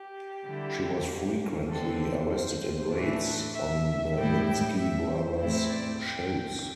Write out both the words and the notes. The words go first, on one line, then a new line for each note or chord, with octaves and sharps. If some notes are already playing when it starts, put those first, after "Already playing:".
She was frequently arrested in raids on the Minsky brothers' shows.
Already playing: G4
D3 G3 E4
E2 D3 C4 A4
C5
C5
A2 E3 A3 D4
E5
A2 G3 E4 G5
G5
E5
C5
A2 A3 C4 E4 C5
D5
G5